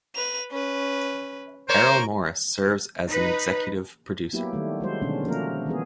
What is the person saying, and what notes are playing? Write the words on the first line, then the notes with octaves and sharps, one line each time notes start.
Errol Morris serves as an executive producer.
B4 F7
C#4 B4
A#3 A#4 C5 C#5 A#5 D7
D#4 B4
F#3 A#3 B3 E4 G4
D#3 G3 A3
F#3 G#3 C5
B2 D3 D#3 G#3 C#4 D4
F3 A3 A#3 C#4 A#4
E3 G#3 B3 G#4